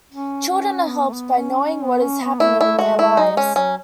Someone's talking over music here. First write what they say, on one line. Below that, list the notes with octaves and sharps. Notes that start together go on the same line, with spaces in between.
Children are helped by knowing what is happening in their lives.
C#4
C#4
B3
A3
B3
C#4
C#4
B3
C#4
B3
A3 E4
E4
G#3 F#4
E4
F#3 D#4
G#3 C#4
F#3 C#4